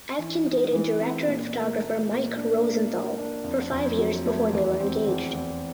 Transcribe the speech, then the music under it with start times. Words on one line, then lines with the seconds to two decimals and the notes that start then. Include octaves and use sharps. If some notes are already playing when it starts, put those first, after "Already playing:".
Atkin dated director and photographer Mike Rosenthal for five years before they were engaged.
0.19 E3
0.46 D#4
0.73 E3
1.00 C4
1.27 A#2
1.54 A#3
1.81 A#3
2.09 A#2
2.36 D4
2.63 A#3
2.90 A#3
3.17 D4
3.44 F2
3.71 F2
3.98 F#3
4.26 A3
4.53 E2
4.80 C4
5.07 E2
5.34 E2